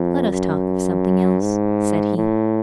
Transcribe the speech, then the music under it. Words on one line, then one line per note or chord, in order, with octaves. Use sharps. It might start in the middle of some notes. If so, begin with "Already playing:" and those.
"Let us talk of something else," said he.
Already playing: F2
F#2
G#2
A2